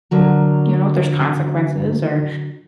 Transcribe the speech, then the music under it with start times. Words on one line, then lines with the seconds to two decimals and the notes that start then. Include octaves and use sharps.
you know, if there's consequences or
0.11 D3 F#3 A#4